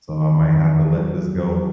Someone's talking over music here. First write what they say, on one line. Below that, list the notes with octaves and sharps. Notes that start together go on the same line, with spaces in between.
so I might have to let this go,"
D#3
F#3